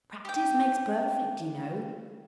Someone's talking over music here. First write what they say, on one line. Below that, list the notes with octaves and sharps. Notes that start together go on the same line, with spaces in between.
Practice makes perfect, you know.
G4 G5